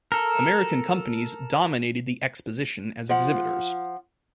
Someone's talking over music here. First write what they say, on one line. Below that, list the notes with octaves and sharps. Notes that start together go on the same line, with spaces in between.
American companies dominated the exposition as exhibitors.
A4 A#4
F3 F#5